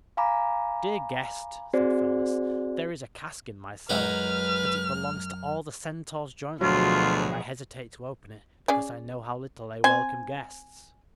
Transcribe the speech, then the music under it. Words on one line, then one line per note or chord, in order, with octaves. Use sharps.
"Dear guest," said Pholus, "there is a cask in my cellar; but it belongs to all the Centaurs jointly, and I hesitate to open it because I know how little they welcome guests."
F5 G#5 A#5 B5 D6
C4 F#4 G#4 C5 D5
F#2 G#3 D#4 F#4 B4 F6
D2 B2 F3 F#3 F4 G#4
C#4 G#4 D5
C4 C5 G#5